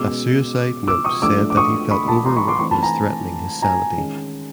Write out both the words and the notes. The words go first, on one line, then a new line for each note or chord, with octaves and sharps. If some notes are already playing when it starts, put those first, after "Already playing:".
A suicide note said that he felt overwork was threatening his sanity.
Already playing: B2 G#3 C#4 D6 E6
D6 E6
C#6 D#6
F3 A3 D4 D6 E6
D6
C#6 D#6
B5 C#6
A5 B5
A#5 C6
B5 C#6
C6 D6
E3 A3 C4 B5 C#6
A5 B5
G#5 A#5
G#5 A#5
D#3 G#3 C#4